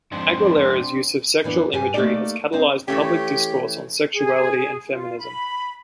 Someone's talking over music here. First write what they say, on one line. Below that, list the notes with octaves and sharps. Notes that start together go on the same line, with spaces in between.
Aguilera's use of sexual imagery has catalyzed public discourse on sexuality and feminism.
F2 G#2 C4 D4 C6
F#2 E3 B3 D4
G2 G4 G#5
A3 A#3 D#4 G4 D5
C4 D4 D#4
E3 A3 C#4 G4
G#4
F4
B5